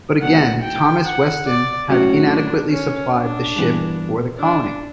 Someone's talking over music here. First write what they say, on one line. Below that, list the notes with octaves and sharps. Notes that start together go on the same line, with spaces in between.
But again, Thomas Weston had inadequately supplied the ship for the colony.
B1 A2 F#3 B3 D4 F#5
G5
F#5
D5
A2 F#3 C#4 F#4
D4
C#4
D4
G2 E3 B3
D4